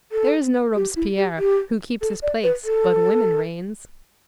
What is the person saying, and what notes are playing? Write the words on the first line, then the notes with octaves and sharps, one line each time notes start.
There is no Robespierre who keeps his place but woman reigns.
A4
G4
E4
G4
G4
A4
D5
B4
A4